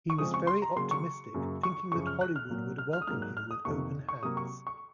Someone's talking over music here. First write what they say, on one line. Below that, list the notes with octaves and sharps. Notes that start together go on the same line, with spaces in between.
He was very optimistic thinking that Hollywood would welcome him with open hands.
C#6
C#3 F3 G#3 C4 D#6
C#6
C6
A#5
C#3 F#3 A#3 C6
C#6
F#2 C#3 F#3 A#3
C#6
F#2 C#3 F3 C#6
F6
F#6
F6
A#2 F#3 A#3
F6
F6
D#6
G#2 F#3 A#3 F6
F#6
F6
D#6
F2 C3 D#3 A#3 C#6
C#6
C3 F#3 A#3 D#6
C#6
C#6